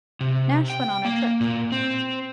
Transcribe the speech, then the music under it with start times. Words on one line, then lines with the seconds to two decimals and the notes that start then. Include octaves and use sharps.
Nash went on the trip.
0.21 C3
0.70 G5
1.05 A#3
1.40 A#2
1.72 C4